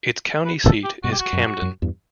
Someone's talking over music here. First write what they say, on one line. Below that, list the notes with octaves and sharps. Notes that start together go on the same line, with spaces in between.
Its county seat is Camden.
B4
A4
G4
G2 B2 F#4
G4
F#4
F#2
F#2
E2 G2